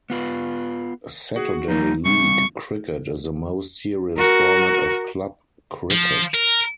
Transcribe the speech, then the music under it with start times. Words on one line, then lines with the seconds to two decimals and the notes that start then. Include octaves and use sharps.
Saturday league cricket is the most serious format of club cricket.
0.10 B3 F4 B4
1.36 F#4 G#4
1.68 F3 G3 A#3 D#4
2.05 G3 C4 C#6
4.17 F#4 A#4
5.91 F3
6.34 A#4